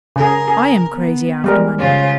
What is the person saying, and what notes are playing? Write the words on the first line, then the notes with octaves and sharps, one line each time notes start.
I am crazy after money.
C#3 G#4 A#4
G#4
B3
G3 G#3 A#4
C#3 F4 C5